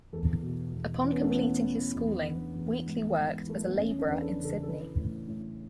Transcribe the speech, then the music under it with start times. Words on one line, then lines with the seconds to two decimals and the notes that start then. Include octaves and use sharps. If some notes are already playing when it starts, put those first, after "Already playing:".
Upon completing his schooling, Wheatley worked as a labourer in Sydney.
0.13 E2 A4
0.42 B2
0.73 E2
1.03 E3 C#4
1.12 B3
1.21 A3
1.31 E3 B3
1.64 E3
1.95 E2
2.24 D3
2.55 E2
2.85 G#2
3.16 G#2
3.46 E3 A3
3.63 B3
3.76 E2 C#4
3.99 D4
4.07 E2 B4
4.22 A4
4.37 C#3
4.45 A4
4.63 A4
4.68 E3 B4
4.98 A2
5.28 A2